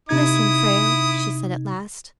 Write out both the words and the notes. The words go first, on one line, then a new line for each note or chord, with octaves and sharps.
"Listen, Frale," she said at last.
C3 D#4 E4 D#6 G#6